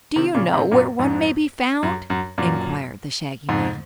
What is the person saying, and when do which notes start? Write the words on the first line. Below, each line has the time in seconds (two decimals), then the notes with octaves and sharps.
"Do you know where one may be found?" inquired the Shaggy Man.
0.16 C3 D#3
0.35 A#2 C#3
0.53 G#2 C3
0.71 F#2 A#2
0.99 F2 G#2
1.83 F#2
2.10 F#2
2.38 F#2 A#2
3.49 F2 G#2